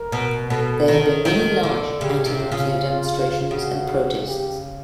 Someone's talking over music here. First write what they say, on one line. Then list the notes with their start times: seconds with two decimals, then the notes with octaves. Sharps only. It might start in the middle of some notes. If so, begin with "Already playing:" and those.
There have been many large anti-nuclear demonstrations and protests.
Already playing: A#4
0.12 B2
0.50 B2 A4
0.88 D#3
1.25 D#3 A4
1.63 D3
2.01 C#3 G4
2.26 C3
2.39 F4
2.52 C#3
2.76 F4
3.51 C#3 F#4
4.27 G4